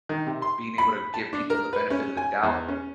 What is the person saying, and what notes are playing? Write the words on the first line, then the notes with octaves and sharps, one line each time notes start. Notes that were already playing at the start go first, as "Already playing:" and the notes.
being able to give people the benefit of the doubt,
D#3
C3
C6
B5
A5
D4
A#4
B4
C#4
G#5
E2
C#4